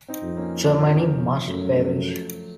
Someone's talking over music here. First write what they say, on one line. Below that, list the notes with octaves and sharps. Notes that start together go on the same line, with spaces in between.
Germany Must Perish!
C4 D#4
F2
A#3 C#4
D#4
A#3 C#4
F3
F3
F#2 A3
F#3
F3 A3